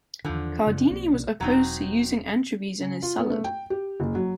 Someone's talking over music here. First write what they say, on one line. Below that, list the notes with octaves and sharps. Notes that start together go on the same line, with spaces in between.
Cardini was opposed to using anchovies in his salad.
E2 D3 D#3 F3
F#2 C#3
B1 A#3 C4
E1 F#3 C4 D#4
C#3
F4
B3
A3
G5
G4
F#1
F#3